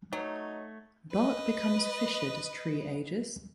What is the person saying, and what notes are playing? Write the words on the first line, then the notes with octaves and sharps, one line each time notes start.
Bark becomes fissured as tree ages.
F#3 A3 D#4 C#5
B4 D#5